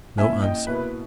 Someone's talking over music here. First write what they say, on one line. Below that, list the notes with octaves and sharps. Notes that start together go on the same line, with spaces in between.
No answer!
A#2 A#3 C#4 E4 E5 G#5
D#5 G5
B2 A#3 E4 B4